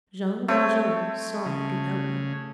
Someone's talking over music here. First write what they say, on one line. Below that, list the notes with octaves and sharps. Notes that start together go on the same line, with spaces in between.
Jean Valjean saw the outlet.
A3 C4 C#5
C#3